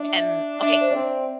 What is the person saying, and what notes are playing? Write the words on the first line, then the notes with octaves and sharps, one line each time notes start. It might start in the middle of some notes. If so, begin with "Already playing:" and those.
and okay, cool
Already playing: D4 E5
E5
D4 E5
D5
C5
C4 D5